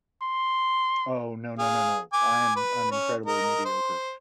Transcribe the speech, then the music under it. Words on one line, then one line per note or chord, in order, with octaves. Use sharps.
Oh, no, no, no, no, I'm I'm incredibly mediocre,
C6
G#4 F5
G#5 D6
B4
C#4
A#4 D#5
C5